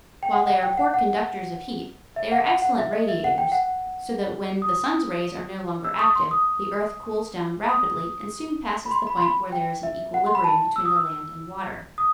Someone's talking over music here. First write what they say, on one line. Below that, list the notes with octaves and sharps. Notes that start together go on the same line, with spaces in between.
While they are poor conductors of heat, they are excellent radiators, so that when the sun's rays are no longer active the earth cools down rapidly and soon passes the point where there is an equilibrium between the land and water.
G5
F#5
F#5
G5
F#5
F#5
E5
F#5
F#5
F#5
E5
D#5
E5
F#5
G5
F#5
D#6
E6
D#6
C6
D#6
D#6
B5
C6
B5
C6
B5
G5
E5
F#5
C6
B5
A5
E6
D#6
E6
D#6